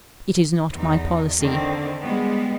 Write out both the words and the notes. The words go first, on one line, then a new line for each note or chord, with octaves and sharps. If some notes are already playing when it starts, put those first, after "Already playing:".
It is not my policy.
E2 D#4
D3 D#3 C4
G3 G#3 B3